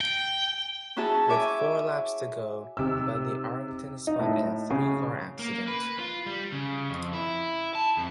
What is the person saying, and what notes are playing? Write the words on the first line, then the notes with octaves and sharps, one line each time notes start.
With four laps to go, Buddy Arrington spun in a three-car accident.
G5
C#4 E4 F#4 G#4 A5
C#5 E5 G#5 D6
C3 D#4 E6
D#4
A2
C#3
A#3
B4
F4
G3
C#3
F2
E4
A5
F2